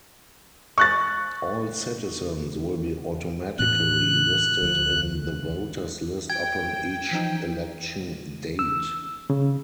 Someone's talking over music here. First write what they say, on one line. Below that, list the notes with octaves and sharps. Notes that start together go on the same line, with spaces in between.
All citizens will be automatically listed in the voters' list upon each election date.
C#6 F#6 A6
A2 E3 B3 F#6
D2 F3
G5 G#6
E3 F3 D#4
E6
C#3